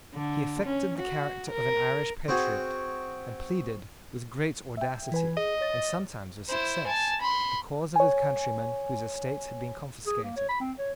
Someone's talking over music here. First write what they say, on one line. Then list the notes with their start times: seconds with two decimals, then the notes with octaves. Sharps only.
He affected the character of an Irish patriot, and pleaded, with great audacity, and sometimes with success, the cause of his countrymen whose estates had been confiscated.
0.15 D3
0.64 C#4
0.98 F#4
1.50 A#4
2.28 C4 F#4 G#4
4.77 E5 G5
5.12 E3 B4 G#5
5.37 G#4 D#5
5.61 C#5 A6
6.49 E4 C5
6.87 G#5 A5
7.21 B5 C6
7.96 C#5 G#5
10.07 G#4
10.23 A#3
10.36 C#5
10.49 B5
10.60 C4
10.79 C#5